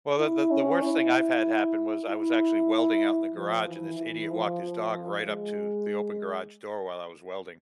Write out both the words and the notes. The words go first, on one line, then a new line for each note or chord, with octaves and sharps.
Well, that that the worst thing I've had happen was I was actually welding out in the garage and this idiot walked his dog right up to the open garage door while I was welding,
E4
C#4
E4
E4
F3
E3
E3
F3
F3
G#3